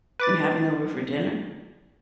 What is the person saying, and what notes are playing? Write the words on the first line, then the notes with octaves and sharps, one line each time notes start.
and having over for dinner?
B4 D6 A6